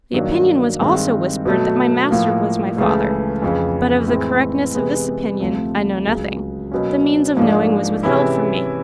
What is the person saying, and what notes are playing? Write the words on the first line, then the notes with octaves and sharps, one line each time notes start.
The opinion was also whispered that my master was my father; but of the correctness of this opinion, I know nothing; the means of knowing was withheld from me.
G2 D#3 F#3 A#3 D4
G2 D#3 G#3 C4
B2 F#3 A3
A2 F3 A#3
C#2 C#3 E3 A3
F2 C#3 E3
A2 E3 G#3 C4 E4
C3 E3 G#3 B3
D2 C3 F3 A3 C4
C#2 C#3 F#3
B2 F#3 A#3 C#4
G#2 F3 A#3 D4
C3 E3 G#3 C#4 E4